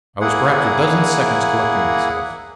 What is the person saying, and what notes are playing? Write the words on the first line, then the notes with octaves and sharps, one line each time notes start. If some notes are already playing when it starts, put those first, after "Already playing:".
I was perhaps a dozen seconds collecting myself.
A#3 E4 G#4 F#5